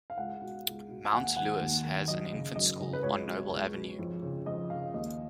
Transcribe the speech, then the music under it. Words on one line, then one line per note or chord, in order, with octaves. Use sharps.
Mount Lewis has an infants school on Noble Avenue.
F5
C#2 F#5
B2
C#2
B2
G#5
D#2 F#5
D#3 F#5
D#2
D#3
F#2 D#5
C#3
F#2 D#5
C#3
B4
C#2 C#5
B2
C#2
B2
F2
C#3
F2 D#5
C#3 F5
D#2 D#5